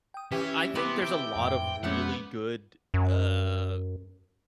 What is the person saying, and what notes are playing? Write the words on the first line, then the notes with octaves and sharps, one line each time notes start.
I think there's a lot of really good, uh,
G5 D#6
E3 C#4 G4 B6
C3 B3 C4 E4
G5
F2 A2
F2 C3 G#3 A3 B3 C#4 E5 F#5
F#2